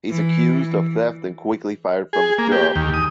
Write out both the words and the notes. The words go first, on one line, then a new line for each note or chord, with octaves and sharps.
He's accused of theft and quickly fired from his job.
E3
E3
G#4
A#3
G4
D#2
D#6